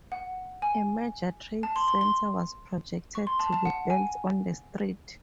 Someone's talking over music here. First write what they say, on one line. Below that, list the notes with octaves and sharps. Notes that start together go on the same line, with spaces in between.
A major trade center was projected to be built on the street.
F#5
G#5
A5
C6
C6
C6
C#6
C6
A5
A5
F#5
G#5